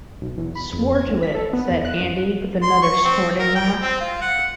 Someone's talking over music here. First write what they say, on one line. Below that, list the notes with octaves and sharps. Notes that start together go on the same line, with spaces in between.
"Swore to it," said Andy with another snorting laugh.
B1
E2
B5
F2
G#6
D2
B6
A4
B3
E2
F#6
F#2
C6
C#6
C4
A#4
G5
C4
F4
F#5